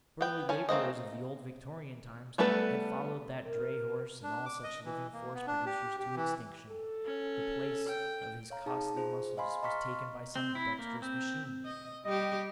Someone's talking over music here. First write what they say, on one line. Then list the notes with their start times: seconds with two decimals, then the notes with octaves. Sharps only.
The burly labourers of the old Victorian times had followed that dray horse and all such living force producers, to extinction; the place of his costly muscles was taken by some dexterous machine.
0.21 B3 G5
0.49 C#4 G#5 A5
0.69 A3 A#3 C4 D#5
2.38 G3 A3 B3 A4 B4
3.43 A#4
4.23 D4
4.46 D6
4.63 D#5
4.85 E3
5.13 A#3
5.34 B3
5.47 D4
5.66 G4
6.00 G4
6.16 E3
6.69 A4
7.05 C#4
7.88 G5
8.50 C#5 F5 A#5
8.66 D#4 G#4 A5
8.96 F4 G#4 C5
9.37 D#5 F5 G#5 B5 C6
9.63 D#5 A#5 C6 C#6 F6 B6
10.36 C4
10.55 E4
10.79 A#3
11.02 C4
11.65 D#5
12.05 G3 G4 D#5